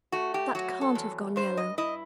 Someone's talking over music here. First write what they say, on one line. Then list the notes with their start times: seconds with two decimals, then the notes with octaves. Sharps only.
That can't have gone yellow.'
0.12 A3 F#4
0.34 G4
0.55 F#3 F#4
0.81 A4
0.95 E2
1.36 G2 C5
1.57 D#5
1.78 E4 D#5